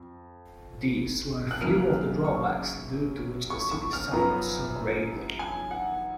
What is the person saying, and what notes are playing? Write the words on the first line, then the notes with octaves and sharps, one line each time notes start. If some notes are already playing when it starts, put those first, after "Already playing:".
These were few of the drawbacks due to which the city suffered so gravely.
Already playing: F2
F#6
F#2 C#3 F#3 A#3 F6
C#6
C#6
C#6
F6
F#2 F3 B3 A#5
G#5
F#5